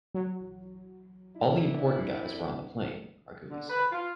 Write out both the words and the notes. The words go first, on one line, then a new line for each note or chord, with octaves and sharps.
"All the important guys were on the plane," Margulies said.
F#3
C3 D4 E4
D3
B4
F4